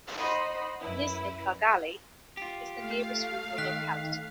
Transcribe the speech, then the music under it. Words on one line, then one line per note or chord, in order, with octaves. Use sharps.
Nizhniye Kargaly is the nearest rural locality.
D#4 C5 D#5 F#5 B5
F#2 E4 B4
F4 G4
A3 F5
D#3 F#6 B6